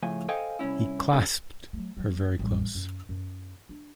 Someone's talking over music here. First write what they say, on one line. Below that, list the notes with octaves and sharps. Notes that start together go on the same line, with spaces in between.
He clasped her very close.
A2 C#3 F3 G#5
A4 C5 D#5 F5 G5 G#5
C2 F#2 C#4 E4
G2 B2 D3 C#4 A4
F#3 A3
F#3 A#3
A1 G3
F#2
F#2
D4